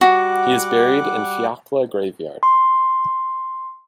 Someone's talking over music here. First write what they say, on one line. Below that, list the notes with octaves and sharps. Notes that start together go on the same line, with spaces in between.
He is buried in Fiacla graveyard.
G3 F#4 F#5 D6
C6